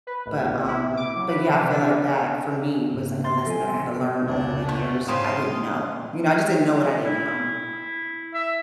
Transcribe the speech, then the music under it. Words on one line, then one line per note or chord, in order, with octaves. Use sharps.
But, um, but, yeah, I feel like that for me was, like, a lesson that I had to learn over the years I didn't know. You know, I just didn't know what I didn't know,
B4
A1
A#1
E4
D6
F#3
B4
C3
D4
G#2 C#3 A#3
C6 A6
F3 A4 G#5
A#1 G2
F1 C#2 C#3 D4
B2 A3
G#2 C#3 E3 C4 F5 C6 D#6
E4
E5